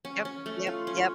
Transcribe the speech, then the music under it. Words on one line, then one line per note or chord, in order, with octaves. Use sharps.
Yep, yep, yep.
C#4
C#4
A3
F4
C#4